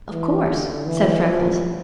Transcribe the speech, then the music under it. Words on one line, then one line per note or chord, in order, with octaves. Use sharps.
"Of course!" said Freckles.
E3
D3
E3
F3